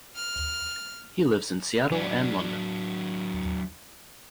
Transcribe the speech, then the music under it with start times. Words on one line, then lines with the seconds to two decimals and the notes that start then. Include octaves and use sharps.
He lives in Seattle and London.
0.16 F6
1.92 F#3 D4